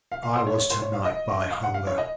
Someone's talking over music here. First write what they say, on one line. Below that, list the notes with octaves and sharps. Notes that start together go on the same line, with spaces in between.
I was to-night, by hunger.
F5
F5
C5
C#5
C#5
C5
C#5
F5
D#5
F5
F#5
F5
C#5
D#5